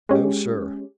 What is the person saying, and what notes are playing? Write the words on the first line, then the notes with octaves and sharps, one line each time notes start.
No, sir!
G#3 C#4 G4